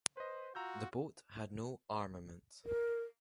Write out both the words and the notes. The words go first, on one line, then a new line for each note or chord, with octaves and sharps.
The boat had no armament.
B4 C5 D#5
F4 F#4 A#5 E6 G6
A#4